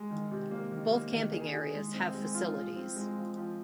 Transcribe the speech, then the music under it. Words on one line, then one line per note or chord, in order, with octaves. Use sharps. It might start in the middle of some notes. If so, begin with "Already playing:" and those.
Both camping areas have facilities.
Already playing: G#3
D#3
C3
A#3
D#3
A#3
D#3
G#4
G#4
G#3
C4
G#3
F4
F3
C4
G#3
F3
F3